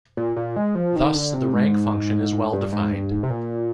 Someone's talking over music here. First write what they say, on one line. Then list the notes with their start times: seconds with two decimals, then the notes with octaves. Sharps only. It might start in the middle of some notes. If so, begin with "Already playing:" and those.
Thus, the rank function is well defined.
0.17 A#2
0.36 A#2
0.56 G#3
0.75 F3
0.96 D#3
1.15 D3
1.34 C3
1.54 G#2
2.53 G2
2.72 G#2
2.92 G2
3.11 G#2
3.23 C3
3.30 A#2